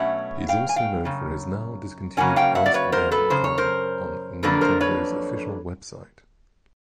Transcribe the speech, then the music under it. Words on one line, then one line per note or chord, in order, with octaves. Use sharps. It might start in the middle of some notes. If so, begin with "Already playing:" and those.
He is also known for his now-discontinued "Ask Dan" column on Nintendo's official website.
Already playing: B2 F#3 A3 C#4 E5 F#5
F5 G5
G#5
F5 G5
F#2 C#3
C#3 F#3 A#3 C#4 F#5 G#5
F5 G5
E5 F#5
D5
B4 C#5
A#4 C5
A4 B4
F#2 C#3 C5
C#5
A#4 C5
F2 D3 F#3 A#3 D4 A4 B4
A#4 C5
B4 C#5